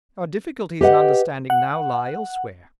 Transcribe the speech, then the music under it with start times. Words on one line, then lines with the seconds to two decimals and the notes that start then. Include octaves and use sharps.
Our difficulties in understanding now lie elsewhere.
0.81 G4 B4 D#5 F#5
1.50 F#5